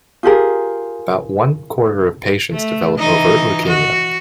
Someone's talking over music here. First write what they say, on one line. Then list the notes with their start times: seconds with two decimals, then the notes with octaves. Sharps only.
About one quarter of patients develop overt leukemia.
0.23 F4 G4 G#4 A#4
2.52 A3
2.99 E3 D#4 D#5
3.67 F#4